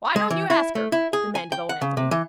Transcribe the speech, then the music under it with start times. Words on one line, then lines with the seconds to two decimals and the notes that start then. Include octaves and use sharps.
"Why don't you ask her?" demanded old Anthony.
0.16 G#3
0.30 E3
0.50 E4
0.75 A3
0.92 E4
1.13 G#4
1.35 G#5
1.52 G5
1.69 F#5
1.82 C#3
1.97 C3
2.11 E3